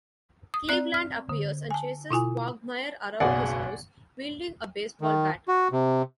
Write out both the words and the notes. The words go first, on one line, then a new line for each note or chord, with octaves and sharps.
Cleveland appears and chases Quagmire around his house wielding a baseball bat.
D#6
C4 D5 F#6
F6
D3
G#5 A5
B2 E4 F4 G#5
F#1 B1 B2 G#4 D5 F#5
D#3
F#4
C3